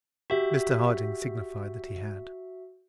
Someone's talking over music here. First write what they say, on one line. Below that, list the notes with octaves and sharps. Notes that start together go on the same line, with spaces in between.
Mr Harding signified that he had.
F#4 G4 E5